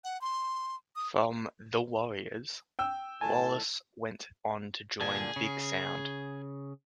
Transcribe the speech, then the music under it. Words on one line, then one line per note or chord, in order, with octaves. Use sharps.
From The Warriors, Wallace went on to join Big Sound.
F#5
C6
D#6
G5 E6
A2 D#3 G#5 A5
A#2 D3 G#4
C#3